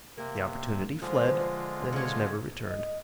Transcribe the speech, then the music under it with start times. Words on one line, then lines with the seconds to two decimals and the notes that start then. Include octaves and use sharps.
The opportunity fled and has never returned.
0.18 C3 A#3
1.02 D3 F3 G#3 F4
1.93 C#3 C#4
2.66 D#5